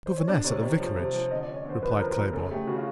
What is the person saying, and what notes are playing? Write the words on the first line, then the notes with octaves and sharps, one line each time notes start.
"Governess at the vicarage," replied Claybourne.
C5
C#5
D4 D5
C3 C#5
C3 D5
F3
C3
F3
D3 D#5
D5
C#4
C#5
D3 C5
F3 B4
F3 A#4
F3 A#4
C#3 A4
A3 G4
C#3 F#4
F4